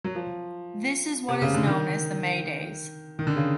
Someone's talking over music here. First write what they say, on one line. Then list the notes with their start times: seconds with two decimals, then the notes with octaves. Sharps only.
This is what is known as the May Days.
0.04 F#3
0.15 F3
1.28 C3
1.42 C#3
1.54 D3
1.67 D#3
3.19 D#3
3.27 D3
3.36 C#3